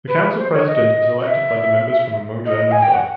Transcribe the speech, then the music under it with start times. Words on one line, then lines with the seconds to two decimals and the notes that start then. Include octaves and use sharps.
The council president is elected by the members from among their number.
0.08 B4
0.38 C5
0.53 C#5
0.67 D#5
1.20 D#5
1.27 E5
2.46 D#5
2.72 G#5
2.83 G5
2.94 F#5